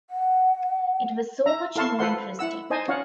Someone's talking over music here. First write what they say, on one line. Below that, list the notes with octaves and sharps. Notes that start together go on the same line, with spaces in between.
It was so much more interesting.
F#5
E5 A#5
E4 A4 F5 A5 C6 C#6
F4 A4 B4 C5 F#5 C6
E4 F#5 E6
D#4 C5 D#5 G#5 A5
C#4 F4 C#5 F5 F#5